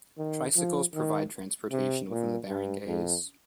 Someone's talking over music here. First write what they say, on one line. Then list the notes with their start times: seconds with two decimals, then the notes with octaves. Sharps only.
Tricycles provide transportation within the barangays.
0.18 D#3
0.56 F3
0.95 D#3
1.72 C3
2.10 A#2
2.49 G2
2.87 F2